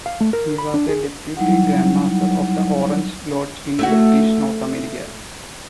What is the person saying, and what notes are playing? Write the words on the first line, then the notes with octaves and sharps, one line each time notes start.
He was a deputy grandmaster of the Orange Lodge in British North America.
F5
A3
A#4
B5
D4
G#4
F#3 G3 D#4 E4 F#5
A3 E4 F#4